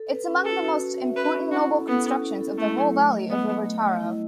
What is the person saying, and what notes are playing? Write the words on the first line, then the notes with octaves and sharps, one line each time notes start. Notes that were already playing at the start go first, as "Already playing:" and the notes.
It's among the most important noble constructions in the whole valley of river Taro.
Already playing: A4
B4
C#4
F#4 A4
F#4
F#4
E5
C#4 B4
C#4
E4 F#4
A4
B3 A4
C#4
E4
A4
A3 E4
F#3
A3
D#5
B3 D#5
D#5
A3
D#5
E4